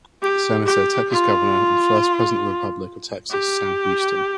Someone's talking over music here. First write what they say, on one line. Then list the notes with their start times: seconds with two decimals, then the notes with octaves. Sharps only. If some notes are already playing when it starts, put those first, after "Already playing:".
Senator, Texas Governor, and first President of the Republic of Texas, Sam Houston.
0.22 G4
0.66 G4
1.10 F4
3.30 G4